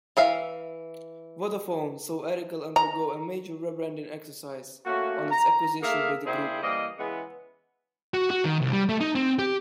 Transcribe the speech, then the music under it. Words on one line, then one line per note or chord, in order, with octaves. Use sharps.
Vodafone saw Eircell undergo a major rebranding exercise on its acquisition by the group.
E3 E5 F5
A#5
A3 A#3 C#4 F#4
A#5
A3 A#3 G#4 A#4 E5 F5
A#3 D4 E4 G4 G#4 C5
E3 G3 A#3 D#5
C#3 E3 G#3 B3
F#4
F#4
D#3
C2
G3
A3
D#4
C4
G4